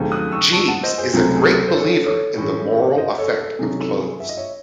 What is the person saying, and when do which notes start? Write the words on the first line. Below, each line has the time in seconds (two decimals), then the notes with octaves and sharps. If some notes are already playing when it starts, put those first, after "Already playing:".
Jeeves is a great believer in the moral effect of clothes.
Already playing: D#2 C#3 F#3 A3 C4
0.12 D#6 F#6
0.32 C#6 E6
0.52 A5 C#6
0.68 F#5 A5
0.83 C5 D#5
0.98 G#4 C5
1.14 C#2 C3 F#3 A3 C4 G#4
1.37 G#4
1.44 A4
1.68 C5
1.75 A4 C#5
2.06 A4 C#5
2.36 A2 E3 G#3 C#4
2.97 C5 D#5
3.18 A4 C#5
3.39 A4
3.59 C3 D#3 F#3 C#4 G#4
3.79 A4
4.01 G#4
4.20 E5
4.29 D#5
4.37 C#5 E5